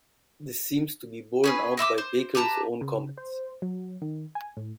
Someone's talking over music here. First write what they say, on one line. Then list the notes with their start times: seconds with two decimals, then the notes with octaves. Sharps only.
This seems to be borne out by Baker's own comments.
1.44 C#4 G#4 B4
1.77 D#5 E5 C6 D6
1.98 C5
2.35 G4 B4 A5 A#5
2.82 C#3
3.17 C5
3.62 F#3
4.02 D#3
4.35 G#5
4.57 A2